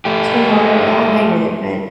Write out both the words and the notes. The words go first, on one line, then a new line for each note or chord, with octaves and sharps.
Sweetheart, I hate it, but
A3 G4